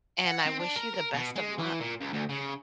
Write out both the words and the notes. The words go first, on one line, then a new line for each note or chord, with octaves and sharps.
and I wish you the best of luck.
F#5
C4
D4
A#4
A#4
B2
G#3
E3
A#2
C#2
D2
C#3